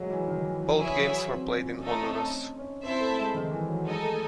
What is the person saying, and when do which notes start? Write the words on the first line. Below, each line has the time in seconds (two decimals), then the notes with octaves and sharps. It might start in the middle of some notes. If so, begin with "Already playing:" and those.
Both games were played in Honduras.
Already playing: F#3 G#3
0.11 E3
0.28 D#3
0.45 E3
0.62 E3
0.78 E3 E4 G#4 C#5 E5 G#5
0.96 F#3
1.29 C4
1.43 C#4
1.56 C#4
1.68 D#4
1.81 A3 C#4 D#4 A4 D#5
1.98 C4
2.16 C#4
2.32 D#4
2.58 C#4
2.83 C4 E4 C5 E5 A5
3.00 A3
3.18 G#3
3.34 D#3
3.51 E3
3.68 F#3
3.85 G#3 D#4 A4 D#5 G#5
4.02 A3